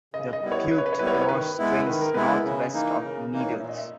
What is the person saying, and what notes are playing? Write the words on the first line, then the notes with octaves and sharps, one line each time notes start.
The Piute Wash drains northwest of Needles.
C#3 D#5
D#5
G3 B3 E4
C#5
C#3 B4
C#5
B4
C#5
G3 B3 E4 B4
C#5
B4
C#5
D#3 B4
G#3 B3 E4
D#3 B4
A#4
G#3 B3 E4 B4
C#3
E3 A#3 D#4
C#3 A#4
E3 A#3 D#4
C#5
A#2 E5
D#5
E5